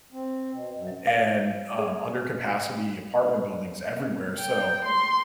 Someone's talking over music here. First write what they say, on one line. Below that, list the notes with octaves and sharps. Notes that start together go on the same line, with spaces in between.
and, um, under-capacity apartment buildings everywhere. So
C4
B2
F#2
F5
G#4
G5
C6